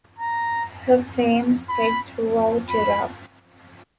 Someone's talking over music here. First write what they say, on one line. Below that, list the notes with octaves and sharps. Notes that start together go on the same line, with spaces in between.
Her fame spread throughout Europe.
A#5
B5
B5